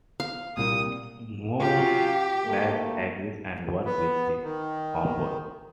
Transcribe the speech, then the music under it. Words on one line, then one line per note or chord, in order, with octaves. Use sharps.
Morales agrees and work with the Homeboys.
F5
C2 A#2 G3 A#3 D#6
F#3 C#4 F4 G4
D2 A3 A#3
B3
D#3